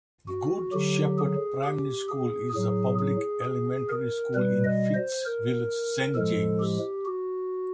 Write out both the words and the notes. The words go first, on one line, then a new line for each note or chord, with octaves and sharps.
Good Shepherd Primary School is a public elementary school in Fitts Village, Saint James.
F#4
D3 F#3 G4
G#4
G4
G#4
A2 F#3 G#4
G#4
G#4
A#4
B2 G3 B4
D#5
C5
A#4
A2 F3 G#3 A4
G4
F#4